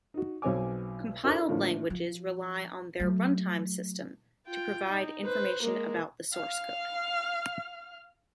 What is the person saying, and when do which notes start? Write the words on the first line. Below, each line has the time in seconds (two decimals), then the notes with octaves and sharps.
Compiled languages rely on their runtime system to provide information about the source code.
0.14 D#4 F#4
0.42 B1 B2 C4 C#5 G#5 D6
1.24 D4 E4 F#4 A4 A#4 C5
1.49 A2 D3 F3 A#3 D4 E4
1.90 F3
3.00 F#3 A3
4.47 F4 G5
4.91 D#4
5.25 B4 C5
5.63 G#3 A#3
6.33 F5 F6